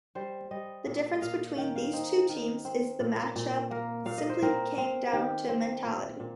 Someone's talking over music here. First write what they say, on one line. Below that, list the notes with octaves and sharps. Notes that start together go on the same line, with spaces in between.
The difference between these two teams in this matchup simply came down to mentality.
G3 C5
G3 D#5
A#2
D#5
A#2 F5
D#3 G5
F5
C4 D#4
D#3
C4
A#2
A#2
A#3 A#4
A#2 F5
D#5
C5
C4 A#4
C4
D#3 G4
C4
A#2
A#2